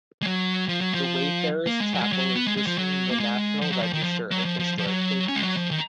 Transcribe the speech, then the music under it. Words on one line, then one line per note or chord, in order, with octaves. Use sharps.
The Wayfarers Chapel is listed in the National Register of Historic Places.
G#3
F#3
F3
F#3
F3
A#3
G#3
F#3
G#3
F#3
B3
G#3
G#3
F3
F#3
A#3
G#3
F3
F#3
F3
D#3
F3
F#3
F3
F3
F3
F#3
C#4
G#3
F#3
F3
D#3